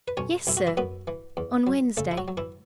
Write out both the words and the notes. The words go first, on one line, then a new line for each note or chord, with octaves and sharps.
"Yes, sir, on Wednesday."
B4
B1 C#4 C#5
B1 E4
F#4
E3 E4
F#2 B3 B4
E3
E2
F#3
C#3 A3 A4
E4
F#3 F#4
F#3
E3 E4